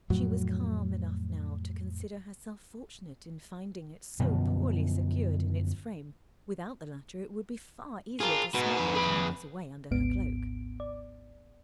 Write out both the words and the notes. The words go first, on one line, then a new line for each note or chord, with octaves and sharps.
She was calm enough now to consider herself fortunate in finding it so poorly secured in its frame; without the latter it would be far easier to smuggle the canvas away under her cloak.
F2 A2 F#3
F#2 B2 D3 F3
F4 G#4 A#4
G#2 F#4 B4
F2 B4
G#4 B5
G#1 D2 G#2 B3 D7
D5